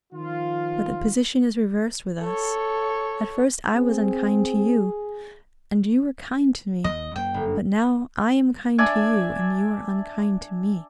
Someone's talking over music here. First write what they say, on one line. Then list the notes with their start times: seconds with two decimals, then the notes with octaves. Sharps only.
"But the position is reversed with us; at first I was unkind to you, and you were kind to me, but now I am kind to you and you are unkind to me."
0.13 D#3 F3 F4
2.21 A4 C#5
3.75 C4 G#4
6.84 D#2 D#5
7.16 F#2 A#3 G5
7.34 G1
8.78 D4 D5 E5 G#5